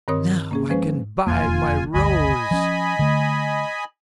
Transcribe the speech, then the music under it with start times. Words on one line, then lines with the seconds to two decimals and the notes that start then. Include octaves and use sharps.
"Now I can buy my rose!"
0.08 G2 D#3 C4 A#4 C#5 D#6
0.51 A#3 C#4 G#4
0.70 F3 G#3 C#4 B4 C5
1.27 E1 F2 A#3 F4 G#5
1.94 G1 D2 D#5 G#5 B5
2.51 F3 C#4
2.99 D3 A3